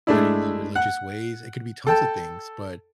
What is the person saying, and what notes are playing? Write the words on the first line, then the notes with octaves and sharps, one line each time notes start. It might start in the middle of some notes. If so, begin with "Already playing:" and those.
learning my religious ways, it could be tons of things, but
G#3 A3 D4 E4
F#5
A4 G5 A5